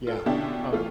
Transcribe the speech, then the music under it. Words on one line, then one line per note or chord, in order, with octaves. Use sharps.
Yeah, probably.
F4 A4
B2 D3 C#4 D4 E4 G4
B2 E3 A3 F4